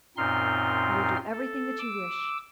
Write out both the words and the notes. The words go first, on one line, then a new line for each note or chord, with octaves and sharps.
"I will do everything that you wish!"
F#2 A#2 C4 D#4 C6 F6
A4
D6 E6